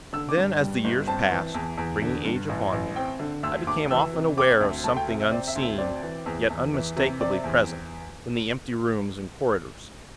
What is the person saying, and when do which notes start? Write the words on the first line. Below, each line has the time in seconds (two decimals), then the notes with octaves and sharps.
Then, as the years passed, bringing age upon me, I became often aware of something unseen, yet unmistakably present, in the empty rooms and corridors.
0.13 D3 E6
0.29 D6
0.37 G2
0.60 G3
0.84 G1
1.07 C4 A5
1.31 E3
1.54 E2
1.78 E2
2.02 D3
2.25 G2
2.49 A1
2.72 A1
2.96 C4 G5
3.20 D3
3.43 D2 E6
3.67 D2 D6
3.91 E3 E6
4.13 C3
4.37 C4 D6
4.60 D2
4.84 A3 A5
4.97 G5
5.08 C3
5.20 E5
5.31 C4 D5
5.48 E5
5.55 D2
5.63 E5
5.78 C4 D5
6.03 E3
6.26 E2
6.50 E2
6.73 E3
6.96 C3
7.20 C4 D5
7.44 E2